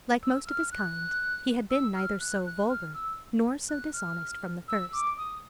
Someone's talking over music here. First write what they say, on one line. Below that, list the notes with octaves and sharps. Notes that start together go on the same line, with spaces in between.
Like most of his kind, he had been neither so vulgar nor so dishonest from the first.
E6
F6
F#6
E6
F6
F#6
F#6
F6
E6
F#6
F6
E6
D6
D#6